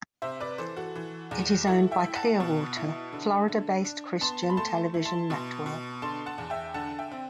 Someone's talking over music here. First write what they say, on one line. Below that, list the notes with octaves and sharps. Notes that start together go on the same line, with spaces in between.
It is owned by Clearwater, Florida-based Christian Television Network.
C3 C5 E5
B4 D5
E3 A4 C5
F#4 A4
E3
E2
E4 F#4 A4
E5 G5
E4
F#5 A5
B2
E4
D3
D3
D4
B3 A5 C6
A5
B5
A3 A5 C6
E4
A5 C6
B2
B2
D3 A5 C6
F#5 A5
E2
E5 G5
D3 F#5 A5
E5 G5
C4